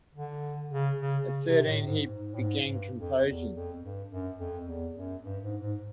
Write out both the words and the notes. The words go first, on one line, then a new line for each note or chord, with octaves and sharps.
At thirteen he began composing.
D3
C#3
C#3
C#3
C3
A2
G#2
G#2
A2
G#2
G2
F2
E2
F2
G2
F#2
F2
E2
F#2
G2
G#2
G#2